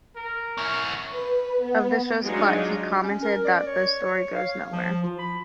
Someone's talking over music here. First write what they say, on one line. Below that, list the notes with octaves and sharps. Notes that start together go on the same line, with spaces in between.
Of the show's plot, he commented that the story goes nowhere.
A#4
C#4 E4
B4
B3
F#3 G#3 D4 D#4 F4
C#4
A#4
D5
C#5
C#5
F5
F3
F4
B5